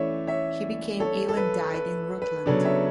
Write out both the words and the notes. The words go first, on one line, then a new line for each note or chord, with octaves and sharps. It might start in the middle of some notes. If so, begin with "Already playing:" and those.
He became ill and died in Rutland.
Already playing: E3 A3 C#4 C#5 D5 E5
C#5 E5
A4 C#5
A4
B4
B4
B4
C#3 F#3 B3 D4 A4 C#5
C#5 E5